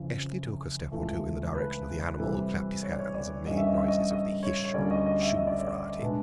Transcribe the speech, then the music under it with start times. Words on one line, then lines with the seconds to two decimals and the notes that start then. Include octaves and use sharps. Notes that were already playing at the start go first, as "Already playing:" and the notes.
Eshley took a step or two in the direction of the animal, clapped his hands, and made noises of the “Hish” and “Shoo” variety.
Already playing: F2 C#3 E3
0.92 C#2 C#3 E3 A3
1.55 B4
2.20 C3 E3 G3
2.82 C#5
2.91 D5
2.99 C#5
3.14 D5
3.47 G2 E3 G3 A#3 C#4 D#5
3.57 E5
3.67 D#5
3.78 E5
3.88 D#5
4.11 D#5
4.43 C#5
4.65 C#5
4.74 D2 D3 G3 A#3 C#4 D5
4.91 D#5
5.06 D#5
5.22 E5
5.37 D#5
5.47 D5
5.57 C#5
5.67 D5
6.02 B2 G#3 B3 D4